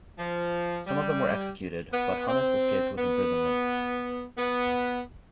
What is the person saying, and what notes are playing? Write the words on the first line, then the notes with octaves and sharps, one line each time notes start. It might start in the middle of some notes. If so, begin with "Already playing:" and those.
Some of them were executed, but Hunnis escaped with imprisonment.
F3
G3
B3
C4
B3
B3